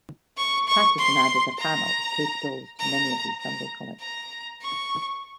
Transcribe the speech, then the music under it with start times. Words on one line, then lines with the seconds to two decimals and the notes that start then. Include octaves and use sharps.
Patterson added a panel of paper dolls to many of these Sunday comics.
0.37 C#6
0.67 C#6
0.98 C6
1.59 A#5
2.79 A#5
3.41 A#5
4.00 A#5
4.61 C#6